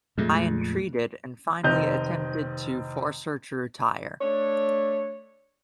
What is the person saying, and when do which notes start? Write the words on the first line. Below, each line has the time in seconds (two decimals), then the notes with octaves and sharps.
I entreated, and finally attempted to force her to retire.
0.18 F2 A#2 G#3 A3
1.64 F1 D#3 C4 D#5 G6 F7
4.21 A3 D4 C#5